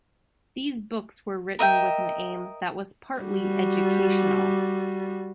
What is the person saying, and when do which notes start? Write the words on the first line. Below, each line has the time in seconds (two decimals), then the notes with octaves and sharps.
These books were written with an aim that was partly educational.
1.59 A#4 D#5 E5 G5
3.20 G3 F#4